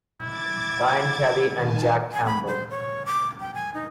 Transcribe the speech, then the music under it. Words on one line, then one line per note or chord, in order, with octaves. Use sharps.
Ryan Kelly and Jack Campbell.
E4 D6 G#6 A6
D#3 G#5 A5
G#5
B5
C5
C#5
D6
G5
G#5
D#4